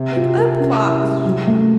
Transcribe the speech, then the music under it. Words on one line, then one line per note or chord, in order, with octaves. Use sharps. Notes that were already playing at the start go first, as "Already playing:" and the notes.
"Wake up, Quox!" she cried.
Already playing: C3 C4
F4
A#4
C#4
E4
G#3
F#3
A3